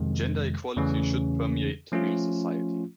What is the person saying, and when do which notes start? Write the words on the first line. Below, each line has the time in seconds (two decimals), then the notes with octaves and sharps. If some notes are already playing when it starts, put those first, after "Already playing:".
Gender equality should permeate Tamil society.
Already playing: F2 C3 D#3 G#3
0.76 E2 C#3 E3 A3 C#4
1.92 F3 A3 C#4 F4